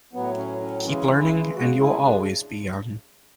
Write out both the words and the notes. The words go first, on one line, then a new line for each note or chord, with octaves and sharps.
Keep learning and you'll always be young.
A2 F#3 B3
C#4
C#4
C#3 E3 G#3 C#4
E4
C#3 G#3 F#4
E4
D4
D4